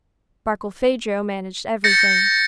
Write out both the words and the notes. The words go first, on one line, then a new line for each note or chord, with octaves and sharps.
Barkilphedro managed everything.
G6 A6 A#6 C#7